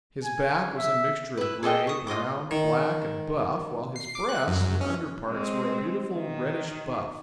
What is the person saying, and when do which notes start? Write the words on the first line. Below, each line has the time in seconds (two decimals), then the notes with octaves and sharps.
His back was a mixture of gray, brown, black and buff, while his breast and under parts were a beautiful reddish-buff.
0.24 G#5
0.78 E5
1.37 E4 B4
1.63 G#4 A4 D#5 G5
1.87 C#6 D#6
2.07 F4 D#5 C6 D6
2.51 D#3
3.96 C7
4.15 D6
4.29 F#6
4.47 F#2
4.81 C#4
5.28 G#3 C4
6.15 D#3